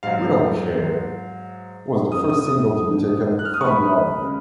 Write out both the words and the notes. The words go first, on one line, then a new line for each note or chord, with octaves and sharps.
"We Don't Care" was the first single to be taken from the album.
G#2 F#3 F5
F2 C#3 F3 D#6
D#6
D#6
F#6
F6
D#6
C#6
B5
C#3 G#3